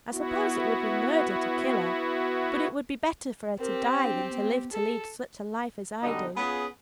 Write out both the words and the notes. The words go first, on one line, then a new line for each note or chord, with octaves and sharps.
I suppose it would be murder to kill her, but it would be better for her to die than to live to lead such a life as I do.
B3 E4 F#4
C4 G4 A#4
D4
B3
G#4 A4
B2 D3 G3 B3 D#4 D#5
B3 C#4 F4 G#4